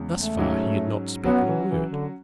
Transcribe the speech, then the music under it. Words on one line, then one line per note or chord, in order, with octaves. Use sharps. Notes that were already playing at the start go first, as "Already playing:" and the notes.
Thus far he had not spoken a word.
Already playing: E2 C#3 G#3
A3
G#2 F#3 C#4
F#3 B3 C#4 F#4
E3
E3
D3